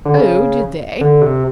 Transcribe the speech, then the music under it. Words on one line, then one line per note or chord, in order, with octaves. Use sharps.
'Oh! did they?
D3
C#3
D3
C3